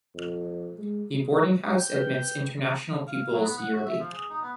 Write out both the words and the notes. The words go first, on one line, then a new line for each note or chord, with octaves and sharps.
The boarding house admits international pupils yearly.
F2
G#3
G5
B4
F5
F#3
B3
F#5
F#4
E5
F3
G#4
D#4
B3